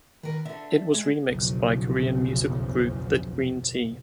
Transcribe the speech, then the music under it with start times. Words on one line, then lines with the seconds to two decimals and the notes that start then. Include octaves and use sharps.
It was remixed by Korean musical group The Green Tea.
0.23 D#3 A#4 B4
0.45 D3 A4 E5
0.94 G#3
1.26 F#1 B1 E2 C#3 F3 F#3